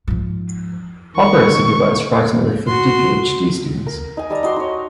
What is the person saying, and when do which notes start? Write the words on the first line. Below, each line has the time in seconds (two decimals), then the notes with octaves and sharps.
Hopper has supervised approximately fifty PhD students.
0.08 G#2 F3
1.16 D#3 C#6
2.67 F#4 C6
3.86 A#4
4.17 D#4 G#5
4.30 G3 D#4 A5 A#5
4.43 D#4 F#4 C6 D6
4.56 D#4 C#5